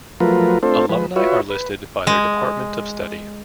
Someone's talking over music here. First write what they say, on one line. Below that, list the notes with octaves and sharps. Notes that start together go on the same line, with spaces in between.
Alumni are listed by their department of study.
F3 F#3 A3 F4 A#4 B4
A3 C4 D4 F4 A4 C5
F3 G#3 B4
F4 F#4 B4 C#5 E5
B4
G#3